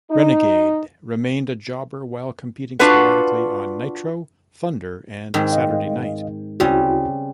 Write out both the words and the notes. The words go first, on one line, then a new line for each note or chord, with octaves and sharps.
Renegade remained a jobber while competing sporadically on "Nitro", "Thunder", and "Saturday Night".
D#4
D4 F4 F#4 B4 F#5
G#2 D#3 C4
D#5 F5
D2 C#3 G3 C4 E4 F#4